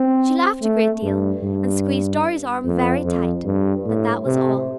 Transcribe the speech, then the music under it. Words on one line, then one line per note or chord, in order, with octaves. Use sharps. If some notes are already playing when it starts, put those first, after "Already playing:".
She laughed a great deal, and squeezed Dorry's arm very tight, but that was all.
Already playing: C4
A3
G2
G2
F2
F2
G2
A2
C3